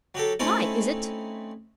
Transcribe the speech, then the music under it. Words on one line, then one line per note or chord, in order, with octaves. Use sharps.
"Why? is it--?"
F#3 G4 A4
A3 C4 C#4 D#4 E4 A4